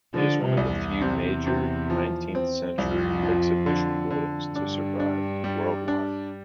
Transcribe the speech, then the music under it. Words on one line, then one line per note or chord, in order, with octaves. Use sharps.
It is one of the few major nineteenth-century exhibition buildings to survive worldwide.
D3 F3
C3
C2
E2
C3
C3
F3
C4
C2 F2
F3
D3
D3
G2 D4
D4
G3
D4